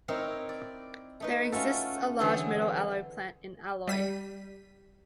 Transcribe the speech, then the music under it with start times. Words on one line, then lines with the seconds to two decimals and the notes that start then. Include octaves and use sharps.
There exists a large metal alloy plant in Alloy.
0.08 C4 D#4 E4 A#4 C#5
0.49 D5
1.20 A3 D#4 B4
1.52 A3 C#4 F4 F#4 A4
2.20 D3 E3 F#3 C4 G#4 A4
3.87 G3 B6 D#7